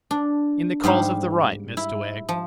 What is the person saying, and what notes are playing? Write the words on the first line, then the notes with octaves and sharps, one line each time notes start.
'In the cause of the right, Mr Wegg?'
D4
G#2 G3 C5 F5
E4
F3